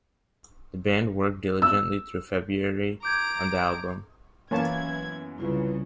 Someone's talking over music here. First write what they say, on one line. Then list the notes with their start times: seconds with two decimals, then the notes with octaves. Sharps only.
The band worked diligently through February on the album.
1.62 E6
3.03 A#5 D6 G6 G#6 D7
4.51 F#2 E3 A#3 B3 E4 C#5 A5 G#6
5.38 C2 C#3 E4 F4 B4